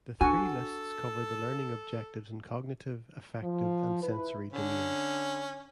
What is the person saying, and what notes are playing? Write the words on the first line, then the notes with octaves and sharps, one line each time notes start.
The three lists cover the learning objectives in cognitive, affective and sensory domains.
D4 F#4 A4 G#5
F3
E4 B4
D3 C#4